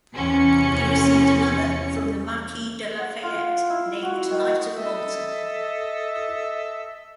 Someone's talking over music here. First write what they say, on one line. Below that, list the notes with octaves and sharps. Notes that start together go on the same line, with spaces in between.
He received another from the Marquis de Lafayette named Knight of Malta.
E2 C3 E3 C#4 C#7
F#5
F4
E4
F#4
D#3
A4 D#5 E5